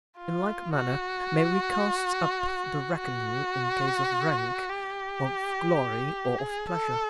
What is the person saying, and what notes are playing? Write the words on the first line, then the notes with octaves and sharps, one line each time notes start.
In like manner may we cast up the reckoning in case of rank, of glory, or of pleasure.
F4
F#4
F#4
G4
G#4
A4